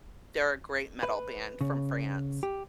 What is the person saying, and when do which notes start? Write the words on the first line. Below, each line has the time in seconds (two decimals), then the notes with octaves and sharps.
they're a great metal band from France.
1.03 B4
1.61 C#3
2.43 G4